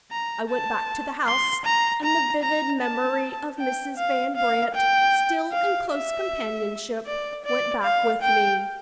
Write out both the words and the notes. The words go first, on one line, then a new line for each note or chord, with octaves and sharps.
I went back to the house; and the vivid memory of Mrs. Van Brandt, still in close companionship, went back with me.
A#5
A5
C6
A#5
A#5
A#5
A5
G5
F5
F5
G5
F5
E5
D5
D5
F5
G5